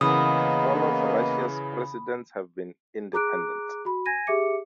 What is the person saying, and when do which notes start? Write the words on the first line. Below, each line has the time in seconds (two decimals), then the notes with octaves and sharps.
All of Russia's Presidents have been independents.
0.01 C#3 E3 A#3 B3 D#5 B5 D#6
3.13 G#4 A#5 D6 F#6 D7
3.85 F#4 B5
4.06 G#5 G#6 A#6 D#7
4.27 G4 G#4 E5 D6 C#7